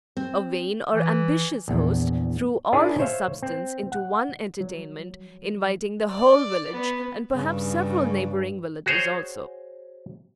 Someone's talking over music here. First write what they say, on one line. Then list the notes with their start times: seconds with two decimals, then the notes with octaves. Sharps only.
A vain or ambitious host threw all his substance into one entertainment, inviting the whole village, and perhaps several neighboring villages also.
0.17 C4
0.92 E3
1.68 A#1 E2
2.72 D4 E4 G#4 A#4 C#5 D5
2.99 C5 C#5 E5 F5
3.43 C4
3.92 F#5
4.61 F#3
6.10 D5
6.73 B3
7.33 G2 C#3
8.86 F#4 G#4 C5 C#5